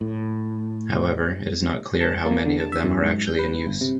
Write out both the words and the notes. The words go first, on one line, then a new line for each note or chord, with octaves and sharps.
However, it is not clear how many of them are actually in use.
A2
A5
A#3
D3
A5
E5
F#2
G#2
G6
B4
G1
C3